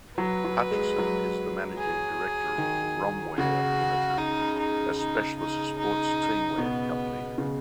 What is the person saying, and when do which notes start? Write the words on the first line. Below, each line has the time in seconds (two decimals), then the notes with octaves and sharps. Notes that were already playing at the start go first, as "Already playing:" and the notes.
Hutchison is the Managing Director of Romwear Limited, a specialist sports teamwear company.
0.18 F#3 B4
0.44 F#3
0.71 G#3
0.98 F#3
1.78 G#4
2.58 D#3
3.38 C#3 F#4
4.18 D#4
4.58 D#4
4.98 D#4
5.39 D#4
5.78 D#4
6.58 B2 B3
7.38 C#3